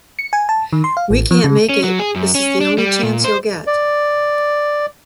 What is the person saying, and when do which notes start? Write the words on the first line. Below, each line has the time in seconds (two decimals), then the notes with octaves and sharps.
We can't make it, this is the only chance you'll get.
0.19 C#7
0.33 G#5
0.49 A5
0.73 D#3
0.84 C6
0.97 F5
1.10 A1
1.31 F3
1.44 C#3
1.69 C#4
1.84 F#3
2.00 G#4
2.16 F#2
2.35 C#4
2.61 D4
2.78 G3
3.03 A#2
3.24 C5
3.67 D5